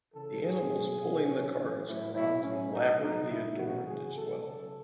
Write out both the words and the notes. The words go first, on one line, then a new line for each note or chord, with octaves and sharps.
The animals pulling the carts are often elaborately adorned as well.
C#3 E3 A4
A2 F#3 G#4
B2 F#3
B2 F#3
B2 F#3 C#4
A2 E3 C#4
A2 F#3 E4
B2 F#3 E4
A2 F#3 C#4
A2 F#3 D#4
B2 F#3 D#4
C#3 F#3 E4
B2 F#3 F#4
C#3 E3 G#4
B2 F#3 A4
C#3 F#3 A4